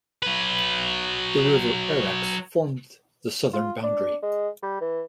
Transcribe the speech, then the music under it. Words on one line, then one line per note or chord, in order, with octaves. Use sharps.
The river Arax formed the southern boundary.
F#3 B4
F4
D4
G#3
G3
E3